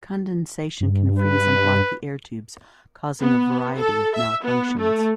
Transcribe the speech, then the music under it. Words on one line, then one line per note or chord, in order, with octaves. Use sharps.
Condensation can freeze and block the air tubes causing a variety of malfunctions.
G2
B4
B3
A4
E5
B3
A3